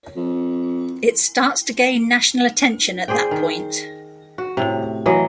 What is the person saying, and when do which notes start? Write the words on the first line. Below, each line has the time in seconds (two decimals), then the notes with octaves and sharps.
It starts to gain national attention at that point.
0.17 F2
3.08 G#4 C5 D5 G5
3.31 D#3
4.38 F#4
4.57 A2 C3
5.06 E3 F#3 D#5